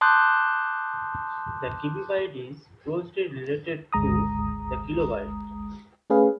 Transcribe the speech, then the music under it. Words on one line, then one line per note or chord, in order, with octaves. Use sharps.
The kibibyte is closely related to the kilobyte.
A5 C6 D6 D#6 F#6 G6
G#1 D2 G#3 A#5 D#6
A3 C#4 G#4 B4 F5